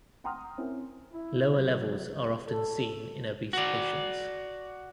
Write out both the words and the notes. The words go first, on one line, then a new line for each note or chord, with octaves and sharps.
Lower levels are often seen in obese patients.
F#5 G5 A#5 C6 D#6 F6
C4 C#4 E4 A#4
E4
F#3
C#2
A4
F#4 D5